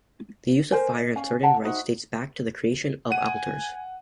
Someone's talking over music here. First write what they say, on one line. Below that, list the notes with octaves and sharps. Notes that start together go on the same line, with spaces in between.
The use of fire in certain rites dates back to the creation of altars.
A#4 C5 G#5
D#5
C#4 F5 G#5
F#5 G5 A5 A#5
D#4 F#4 C5 E5
F#5 G#5 D#7